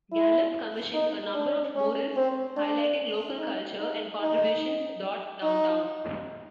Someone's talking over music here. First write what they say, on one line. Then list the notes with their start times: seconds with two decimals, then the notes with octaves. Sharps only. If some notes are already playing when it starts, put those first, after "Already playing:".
Gallup commissioned a number of murals highlighting local culture and contributions dot downtown.
0.13 E4
0.94 D#4
1.35 D4
1.76 C#4
2.16 C4
2.57 D4
3.39 D#4
3.80 D#4
4.21 D#4
5.43 D#4